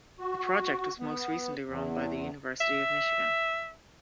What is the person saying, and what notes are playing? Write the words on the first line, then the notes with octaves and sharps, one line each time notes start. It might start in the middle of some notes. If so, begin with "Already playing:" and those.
The project was most recently run by the University of Michigan.
F#4
B3
E2
E5